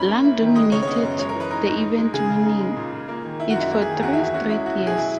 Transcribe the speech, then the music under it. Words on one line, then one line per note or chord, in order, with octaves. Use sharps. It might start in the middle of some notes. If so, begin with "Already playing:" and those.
Lang dominated the event, winning it for three straight years.
Already playing: G#2 C#4 B5
A#3
E4
D#3
G#3 D#5
C#3 C#5
C#5
B3 D#5
F#2
G#3 C#5
A#4
E3
B4
D#4 A#4
G#2
D#4
G#3
C#3 G#4
C#3
D#4
G#3
A#2
A#2
A#3
D#3
E4
F#4
F#2
E4
A#3 E4
G#4
D#3
E2 F#4
E4
E2
E4
C#4 F#4
G#3 E4
E4 F#4
B2
G#4
F#3 E4